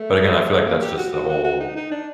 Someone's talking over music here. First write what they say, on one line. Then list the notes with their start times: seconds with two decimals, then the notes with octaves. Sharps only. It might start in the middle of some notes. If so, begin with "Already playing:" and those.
But, again, I feel like that's just the whole
Already playing: A3
0.66 A#3
0.82 G4
0.97 F#4
1.13 F#4
1.29 F#4
1.44 F#4
1.60 D#4
1.76 D#4
1.91 D4